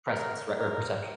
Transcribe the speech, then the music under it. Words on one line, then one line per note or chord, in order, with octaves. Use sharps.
presence, right, or perception
A#4
A#4